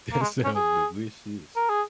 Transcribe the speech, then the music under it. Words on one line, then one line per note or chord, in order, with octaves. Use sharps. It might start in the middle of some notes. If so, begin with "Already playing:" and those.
that sounds delicious.
A#3
G#3
C#4
G#4
A#4
G#4